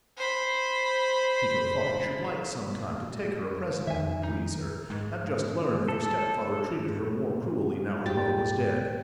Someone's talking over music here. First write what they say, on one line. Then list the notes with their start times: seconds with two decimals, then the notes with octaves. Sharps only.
Tito thought he should like some time to take her a present that would please her, and just learn if her step-father treated her more cruelly now her mother was dead.
0.17 C5 B5
3.87 F2 D#3 E5 G#5
4.23 D#4
4.90 G#2
5.88 A4
8.06 G#2 G4 A6